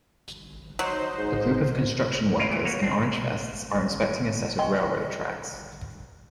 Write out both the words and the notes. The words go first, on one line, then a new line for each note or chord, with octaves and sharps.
A group of construction workers in orange vests are inspecting a set of railroad tracks.
F#3 D#4 C5
G#2
A#3 F4 A#4 B4
D#2 A#2 E3
A#3 B3 C#5
C4 D4
D#5 G5 G#5 C6 C#6